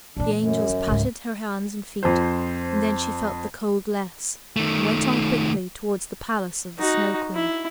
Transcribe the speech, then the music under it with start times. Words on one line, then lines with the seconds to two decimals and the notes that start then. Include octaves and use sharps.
The angels patted her hands and feet; and then she felt the cold less, and went on quickly towards the palace of the Snow Queen.
0.17 A#2 E3 D4
0.38 F#2
0.69 E3
0.87 C#2 G#2
2.03 F2 C5
4.57 D#3 A3
6.78 D#4 F#4
7.35 E4